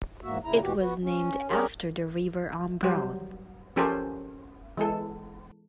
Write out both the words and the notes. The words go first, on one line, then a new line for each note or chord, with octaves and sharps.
It was named after the river Ombrone.
E2 G#2 A#3 F#4 E5
A#2 C#3 E4 A#5
E2 B2 E3 F#4 G4
B3 F#4
C#4
G3 C#4 G4 G#4 A#4 C#5
F#3 G3 G4 C5
F3 C#4 G4 A4 A#4 C5
E3 G#3 A4